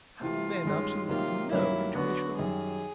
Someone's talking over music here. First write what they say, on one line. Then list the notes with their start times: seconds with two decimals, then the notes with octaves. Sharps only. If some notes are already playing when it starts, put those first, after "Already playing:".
Have men absolutely NO intuition?
0.21 C3 E3 A3 F4
0.64 G2 D#3 G#3 C#4
1.08 C3 D#3 F#3 A#3 D#4 F4
1.52 G2 D#3 F#3 A#3 C#4 E4
1.95 D3 F#3 B3 D4 F#4
2.38 F#2 D#3 G3 G#4